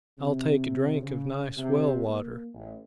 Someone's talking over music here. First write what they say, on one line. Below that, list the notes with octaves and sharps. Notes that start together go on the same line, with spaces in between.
I'll take a drink of nice well-water.
C3
C#3
C3
A#3
A1